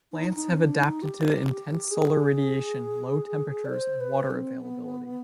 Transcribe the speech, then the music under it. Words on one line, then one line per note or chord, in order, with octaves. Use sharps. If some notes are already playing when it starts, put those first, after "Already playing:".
Plants have adapted to the intense solar radiation, low temperatures and water availability.
D#4
D#4
C4
D4
D#4
G4
G#4
D5
C5
B4
C4
B3